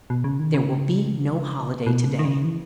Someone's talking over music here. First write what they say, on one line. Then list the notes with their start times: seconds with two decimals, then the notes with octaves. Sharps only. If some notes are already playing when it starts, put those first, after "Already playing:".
There will be no holiday to-day.
0.10 B2
0.24 C#3
0.40 D#3
0.54 C#3
1.87 B2
2.06 C#3
2.19 D#3
2.25 C#3
2.44 E3